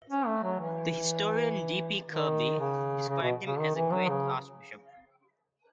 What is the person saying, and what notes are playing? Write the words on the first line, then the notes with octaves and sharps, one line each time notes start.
The historian D. P. Kirby described him as a "great" archbishop.
C#4
A3
F#3
E3
D#3
C#3
C#3
B2
C#3
D#3
E3
F#3
C#3